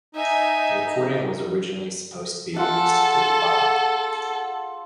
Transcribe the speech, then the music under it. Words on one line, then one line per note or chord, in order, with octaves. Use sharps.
The recording was originally supposed to be released through Bomp!
D#4 E5 G#5
F4 G#4 A4 F#5